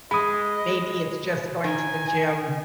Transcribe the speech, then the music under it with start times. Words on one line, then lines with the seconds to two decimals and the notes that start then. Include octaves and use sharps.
Maybe it's just going to the gym
0.11 G#3 D#5 B5 D#6
1.64 D#3 G#5